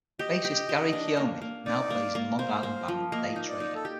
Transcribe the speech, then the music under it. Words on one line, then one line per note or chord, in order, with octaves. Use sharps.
Bassist Gary Cioni now plays in Long Island band Daytrader.
G4 D#5
G4
G4
D4
A#3
A#3
D#4 D5
A#3
A#3
A#3 C5
A#3
F3
A#3 D#5
D#4
D5
D#4
A4
G4